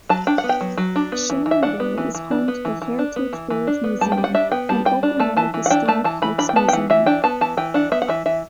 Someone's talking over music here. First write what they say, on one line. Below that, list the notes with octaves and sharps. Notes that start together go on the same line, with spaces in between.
Sharonville is home to the Heritage Village Museum, an open-air historic house museum.
F#3 A5
D4 G5
F#5
B3
G5
F#3
F#3
D4
B3
E3
E3
E5
D4 F#5
B3
E3
E3
D4
B3
E3
E3
D4
B3
E3
E3
D4
B3
G3 A5
G5
G3
F#5
D4 E5
B3 G5
G3 A5
G3 G5
D4
A3 A5
E3 A5
E3
F#5
D4 G5
A3 A5
E3 A5
E3 B5
D4 B5
G5
B3 A5
G5
E3 F#5
E3 E5
D4 G5
B3 A5
E3 A5
E3 G5
D4 F#5
B3 E5
F#5
E3 E5
E3 E5